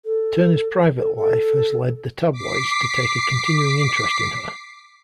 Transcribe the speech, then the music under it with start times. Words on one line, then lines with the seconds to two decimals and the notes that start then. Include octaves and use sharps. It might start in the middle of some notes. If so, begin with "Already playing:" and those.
Turner's private life has led the tabloids to take a continuing interest in her.
0.05 A4
1.00 A4
1.17 A4
2.32 D6 B6 C7